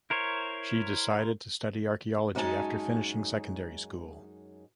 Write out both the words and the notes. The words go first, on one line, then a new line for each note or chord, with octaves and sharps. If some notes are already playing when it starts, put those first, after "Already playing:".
She decided to study archaeology after finishing secondary school.
E4 A#4 C5 C#5
F#2 G#3 C#4 D#4 G#5 A5